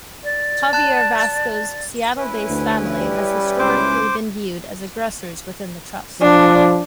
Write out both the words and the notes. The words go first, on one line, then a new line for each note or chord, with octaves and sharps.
Javier Vasco's Seattle-based family has historically been viewed as aggressors within the Trust.
D5
A5 F#6
C#4 E4 B4
D2
G3
C#2 C5 D6
F3 D4